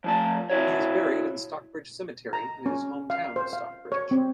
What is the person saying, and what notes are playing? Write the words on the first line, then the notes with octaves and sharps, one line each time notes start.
He is buried in Stockbridge Cemetery, in his home town of Stockbridge.
F3 A3 A5
E4 F#4 C#5
A#5
C#4
F5
C5
F5
C#5
C4